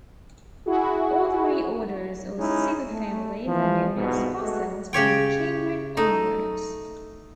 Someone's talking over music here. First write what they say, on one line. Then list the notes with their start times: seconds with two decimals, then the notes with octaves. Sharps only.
All three orders or superfamilies are known as fossils from the Cambrian onwards.
0.66 E4 F#4 G#4
2.38 G#3 C#4 D#4 E4
2.89 A3
3.46 E3 F3
3.96 C2 G#2 B2
4.41 G#3 A3 F#4
4.93 C#3 G4 C#5 G5
5.97 A3 D#4